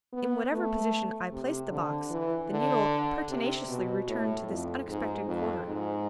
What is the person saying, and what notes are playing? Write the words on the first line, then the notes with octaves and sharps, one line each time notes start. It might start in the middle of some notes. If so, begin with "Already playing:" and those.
In whatever position I placed the box the needle pertinaciously returned to this unexpected quarter.
B3
A3
C3
D3
E3
D3
C3
B2
A2
F2
G#2
F2
G#2